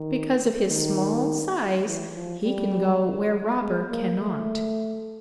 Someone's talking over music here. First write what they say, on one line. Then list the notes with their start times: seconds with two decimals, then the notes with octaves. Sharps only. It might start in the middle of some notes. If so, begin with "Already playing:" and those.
Because of his small size he can go where Robber cannot.
Already playing: D#3
0.69 D#3
1.87 E3
2.15 F3
2.44 G3
3.61 G#3
3.90 A#3
4.18 A3